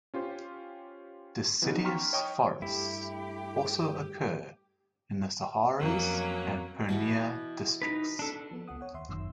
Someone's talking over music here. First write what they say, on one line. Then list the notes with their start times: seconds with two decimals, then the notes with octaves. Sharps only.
Deciduous forests also occur in the Saharsa and Purnia districts.
0.14 C#4 F4 G4 C5
1.62 E3 F#3 B3 C#4 D#4 F#4
1.84 G5 A#5 C6 C#6 F6 B6
2.13 C#5 D#5 G5 C#6 D#6
2.62 G2 A3 E4 G4
5.79 F2 F#3 A#3 C#4
6.89 B2 E3 B3
7.82 D#4 B4
8.19 D4 A4
8.51 F3 B3 A4
8.68 C#2 B3 F#5 D#6
8.81 C#5 F#5
8.94 D#2 E5 C6
9.08 G1 F#2 B2 D#3 C6 E6